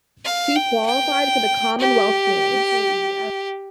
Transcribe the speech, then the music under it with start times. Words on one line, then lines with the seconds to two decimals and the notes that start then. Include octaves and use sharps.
She qualified for the Commonwealth Games.
0.25 F5
0.55 G5
0.86 G5
1.79 G4